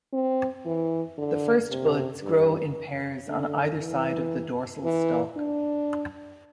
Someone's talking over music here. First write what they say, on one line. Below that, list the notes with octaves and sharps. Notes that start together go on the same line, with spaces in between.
The first buds grow in pairs on either side of the dorsal stalk.
C4
E3
D3
C3
G2
D3
E3
E3
D4